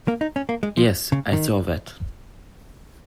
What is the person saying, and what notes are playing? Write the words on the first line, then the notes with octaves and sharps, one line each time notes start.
Yes, I saw that.
A#3
D#4
C#4
A#3
G#3
F3
C#3
D#3